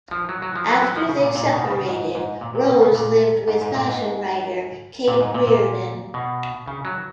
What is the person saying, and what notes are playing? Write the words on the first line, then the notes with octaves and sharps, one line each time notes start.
After they separated, Rose lived with fashion writer Kate Reardon.
F3
F#3
F#3
F3
F#3
F#3
F3
C#3
A#2
A#2
B2
C#3
G#2
G#2
A#2
A#2
B2
C#3
A#2
G#2
G#2
A#2
G#2
A#2
G#2
A#2
A#2
B2
C#3
F#3